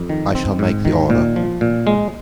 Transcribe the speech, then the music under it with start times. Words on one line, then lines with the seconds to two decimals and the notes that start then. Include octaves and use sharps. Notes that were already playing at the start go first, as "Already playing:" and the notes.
I shall make the order.
Already playing: F2
0.10 D#3
0.35 C4
0.59 G#2
0.85 D#3
1.10 A#2
1.36 F3
1.61 A#2
1.87 G#3